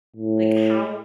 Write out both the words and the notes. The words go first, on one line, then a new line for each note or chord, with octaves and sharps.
Like, how
A2